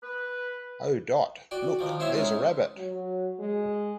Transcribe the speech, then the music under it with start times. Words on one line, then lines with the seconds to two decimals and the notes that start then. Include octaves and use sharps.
Oh, Dot, look, there’s a rabbit.
0.03 B4
1.51 F#4 D5 G5
1.79 D#3 F3 D6
2.00 C4 E4 C5 C#5 E5
2.13 G#3 C#4 D#4
2.78 F#3
3.40 G#3